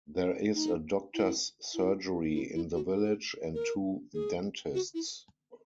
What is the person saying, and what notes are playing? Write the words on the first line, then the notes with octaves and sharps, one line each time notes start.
There is a doctor's surgery in the village, and two dentists.
D#4
E4
E4
E4
E4
F#4
G#4
A#4
G#4
F#4
E4